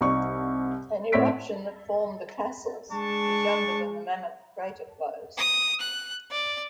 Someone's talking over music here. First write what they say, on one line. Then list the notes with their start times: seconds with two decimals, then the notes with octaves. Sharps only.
An eruption that formed The Castles is younger than the Mammoth Crater flows.
0.01 C2 D#4 D5 C#6
1.12 A2 C4 C#5 E5 B6 D7
2.92 G#3 D4 A5 C#6
5.37 D#6
5.80 F#6
6.31 D5